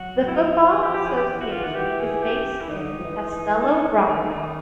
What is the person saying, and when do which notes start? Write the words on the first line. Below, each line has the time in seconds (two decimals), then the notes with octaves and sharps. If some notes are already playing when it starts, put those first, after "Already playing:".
The Football Association is based in Castelo Branco.
Already playing: F#3 F#4
0.28 E4
0.35 F4
0.72 E3 G#4
0.82 F3 G4
0.94 G4
1.06 G#4
1.17 G4
1.29 E3
1.41 F#4
1.52 E3 F4
1.64 D#3 F#4
1.75 E3 G4
1.99 G#4
2.22 G4
2.61 E4
2.68 D#3 D#4
2.80 D3
2.92 D#3
2.99 F3
3.04 E3
3.62 D4
3.74 C#4
3.97 A#3
4.09 D#3 A3
4.16 E3
4.24 D#3
4.32 D#4